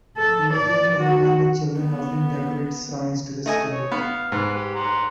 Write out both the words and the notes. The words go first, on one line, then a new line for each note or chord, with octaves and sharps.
Images of women with children often decorate shrines to the spirit.
A4
D5
F#4
B3
A3 D#5 G#5
C#5
B3 F5
G#2 B4
G4
F#5 A#5 C6